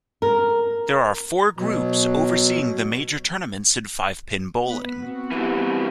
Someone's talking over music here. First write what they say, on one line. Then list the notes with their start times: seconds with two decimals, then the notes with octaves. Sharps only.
There are four groups overseeing the major tournaments in five pin bowling.
0.22 A#4
1.57 B2 F#3
4.65 B3 B4
4.98 B3 C4 F#4
5.31 E3 G3